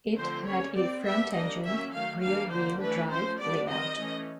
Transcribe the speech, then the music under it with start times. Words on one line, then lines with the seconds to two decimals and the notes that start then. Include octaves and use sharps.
It had a front-engine, rear-wheel-drive layout.
0.15 D3 F3 A3 C4 C5
0.45 G3 A#3 C#4 C#5
0.74 G3 C4 D5
1.03 G3 B3 D4 E5
1.33 G3 A#3 D4 D#5
1.63 D#3 F#3 A#3 C#4 E5
1.92 D#3 F#3 A3 F5
2.21 E3 G3 A#3 D4 F5
2.51 D3 F#3 A#3 C5
2.80 E3 A3 D4 B4
3.09 F3 A3 C#4 C5
3.39 G3 B3 D4 D5
3.69 D#3 G3 C4 D#5
3.98 E3 A3 C#4